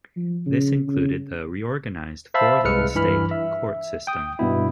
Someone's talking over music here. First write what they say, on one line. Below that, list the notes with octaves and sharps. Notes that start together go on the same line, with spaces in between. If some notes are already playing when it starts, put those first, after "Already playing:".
This included the reorganized four-level state court system.
F3
C#3
C#3
C5 E5 F5 A5 B5 E6
C2 G#3 B4 F6 C#7
G2 E3 B5 F6
E5
G5 D#6
G2 B2 B3 E4